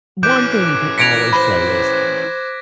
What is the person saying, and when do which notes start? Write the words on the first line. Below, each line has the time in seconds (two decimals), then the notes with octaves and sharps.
one thing you can always say is
0.23 E3 C#4 D6 F#6 G6 D7
0.98 G#6 A#6 B6 C#7 D7 F7
1.33 C5 B5